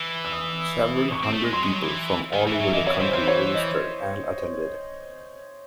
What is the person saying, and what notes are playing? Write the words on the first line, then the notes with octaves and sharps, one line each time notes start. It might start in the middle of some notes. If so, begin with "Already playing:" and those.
Several hundred people from all over the country registered and attended.
Already playing: E3
E6
D#6
C#6
C4
A3
G#3
F#3 C6
G#3
F#3
E3
D#3 G#5
E3
E5
F#3
E3 D#5
E3 C#5
E3 C5
E3 C5
C#5
D#5